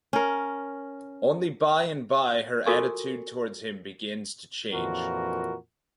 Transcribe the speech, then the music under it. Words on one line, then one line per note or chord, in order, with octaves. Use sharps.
Only by and by her attitude towards him begins to change.
C#4 A#4
F4 F#4 A4 A#4 G#5 C#6
F2 A#2 E3 F#4 A#4